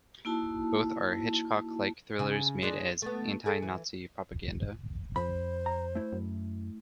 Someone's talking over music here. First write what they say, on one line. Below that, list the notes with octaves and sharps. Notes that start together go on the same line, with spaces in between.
Both are Hitchcock-like thrillers made as anti-Nazi propaganda.
A#3 D#4 E4 F#4 A5
C#3
G#3 D4
A3 B3
G#4 A4
E3
F2 C5 B5
A#5
A3 E4
F#2